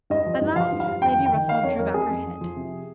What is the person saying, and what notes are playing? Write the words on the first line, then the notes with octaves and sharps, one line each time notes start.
At last, Lady Russell drew back her head.
G2 D#5
F3
D#5
G2
F3 F5
G2
F5
F3
F2 G5
D#3
G5
D#3
D#3 F5
F2 C#5
F2 A#4
F2 G#4
F2
F2
F3
C3